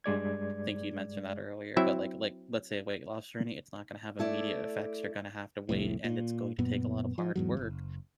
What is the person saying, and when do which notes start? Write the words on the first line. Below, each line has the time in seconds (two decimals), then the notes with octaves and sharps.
think you mentioned that earlier, but, like like, let's say a weight loss journey, it's not gonna have immediate effects. You're gonna have to wait, and it's going to take a lot of hard work,
0.04 G2 G#3 D5 G#6
1.77 F#3 C4 E4 E5
4.19 A3 E4 D5
5.69 C2 F2 A2
6.04 A#2
6.58 F#1 F#2 A#2 B3
7.18 F3
7.36 E2 G#2 F#3
7.57 F#1